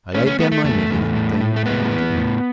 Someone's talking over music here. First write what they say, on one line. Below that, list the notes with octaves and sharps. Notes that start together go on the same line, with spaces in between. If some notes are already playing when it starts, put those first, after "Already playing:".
I laid down my knitting then and looked at him.
A3 C#4
C#4
A3 B3
A3
E2 A3
E2
A2
A2
A3
G#3 B3
E3
A2